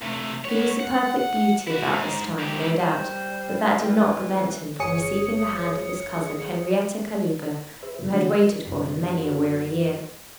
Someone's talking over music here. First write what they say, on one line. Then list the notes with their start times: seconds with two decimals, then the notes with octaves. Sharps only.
He was a perfect beauty about this time, no doubt, but that did not prevent him from receiving the hand of his cousin Henrietta Kalouga, who had waited for him many a weary year.
0.02 C3 A3
0.44 B3 C#5
0.80 F#5
1.67 E4 F#4
1.91 G#2
2.39 G#2 G4
2.80 G3 C5
3.78 E3
4.79 G1 G#4 C#5 D#6 C#7
7.83 G#4 B4 C5 E5
7.99 F#2 A2 C#3 F3 A#3
8.12 D3 E3 G3 A3 F#4
8.31 A#4
8.65 C2 F#2 G3 A#3
9.02 E2 G2 G3
9.17 F#3 B3